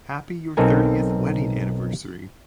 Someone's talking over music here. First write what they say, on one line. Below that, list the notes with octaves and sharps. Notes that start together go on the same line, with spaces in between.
Happy your thirtieth wedding anniversary!
B1 C4 D#4 A4 A#4 G#5